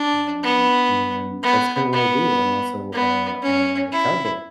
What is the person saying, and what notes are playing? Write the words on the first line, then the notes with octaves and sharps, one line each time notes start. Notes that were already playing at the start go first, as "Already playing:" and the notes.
um, and that's kinda what I do. I'm also a a cowboy.
Already playing: D4
B3
B3
B3
B3
C#4
E4